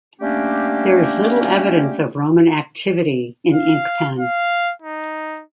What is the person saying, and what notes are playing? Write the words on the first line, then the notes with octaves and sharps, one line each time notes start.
There is little evidence of Roman activity in Inkpen.
G3 A3 A#3 C#4 D4 G4
F5
F5
D#4